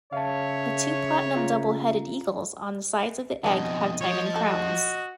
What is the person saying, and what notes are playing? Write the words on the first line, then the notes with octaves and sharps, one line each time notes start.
The two platinum double-headed eagles on the sides of the egg have diamond crowns.
C#3 C#5 E5 F5 A5
F4 A#5
F2 B2 F#3 B3 D4 D#5
F3 C#5
F#4 A4